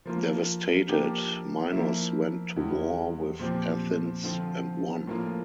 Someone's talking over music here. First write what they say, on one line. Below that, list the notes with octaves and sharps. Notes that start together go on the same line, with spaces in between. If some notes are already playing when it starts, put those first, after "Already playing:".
Devastated, Minos went to war with Athens and won.
F3 A#3 F4
F3 A#3 D4 G4
F3 A#3 E4
E2 E3 G3
A#2 F3 C4 G4
D3 F3 C4 F4
A2 F3 A#3 F4